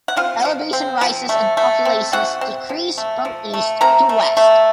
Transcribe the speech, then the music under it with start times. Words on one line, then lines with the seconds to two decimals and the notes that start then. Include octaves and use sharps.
Elevation rises and populations decrease from east to west.
0.08 F#5
0.16 C4 F4 F5
0.45 F3
0.73 C4
1.01 F3
1.29 A3
1.57 A3
1.85 C4
2.13 C4 F#4 F#5
2.41 C4
2.69 F3
2.98 A3
3.25 F3
3.54 A3
3.81 C4 A#4 A#5
4.09 A3
4.37 A3